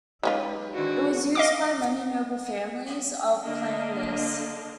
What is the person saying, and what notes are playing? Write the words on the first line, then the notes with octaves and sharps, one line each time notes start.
It was used by many noble families of Clan Lis.
G#3 C#4 D#4 F4 G4 B4
G#2 D#3 D4 F#4
D#5 F5 D6
D3 A#3 D4 D#5 F5